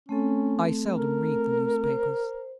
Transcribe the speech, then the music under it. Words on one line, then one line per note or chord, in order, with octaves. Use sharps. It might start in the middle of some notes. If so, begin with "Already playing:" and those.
"I seldom read the newspapers."
A3 C4 C#4 A4
A#4
C5